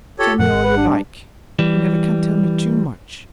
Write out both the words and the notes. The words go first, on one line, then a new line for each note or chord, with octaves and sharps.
Tell me all you like; you never can tell me too much.
F4 G4 A4 C#5
F#2 A#2 F3 A#4 F#5
G#1
B4
G3 D4
E3 G3